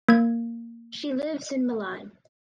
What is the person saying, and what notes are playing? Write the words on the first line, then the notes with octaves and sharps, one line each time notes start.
She lives in Milan.
A#3 G#6